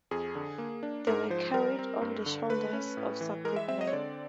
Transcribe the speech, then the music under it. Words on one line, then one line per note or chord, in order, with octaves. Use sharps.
They were carried on the shoulders of sacred men.
F2 G#4
D3
A#3
D4
G#2 A#4
F3 C5
G3 A#4
C4
G2
D3
A3 B4
C#4
A2
E3
G#3 A#4
E5
C4 E5
D#5
C#5
D3 D5